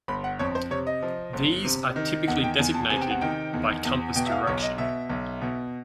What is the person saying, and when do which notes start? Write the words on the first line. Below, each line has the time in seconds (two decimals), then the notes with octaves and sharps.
These are typically designated by compass direction.
0.08 G1 B5
0.24 F#5
0.39 F2 C#5
0.55 C5
0.70 C3 C#5
0.87 D#5
1.02 F3
1.33 G1
1.65 C3
1.96 D#3
2.28 E2 F#5
2.44 G5
2.59 E2 G#5
2.74 A5
2.90 C3 G#5
3.01 G5
3.11 F#5
3.21 D#3 G5
3.53 E2
3.85 E2
4.16 B2 G5
4.26 E5
4.32 F5
4.47 B1 C#5
4.63 D#5
4.78 B2 E5
5.09 B1
5.42 B2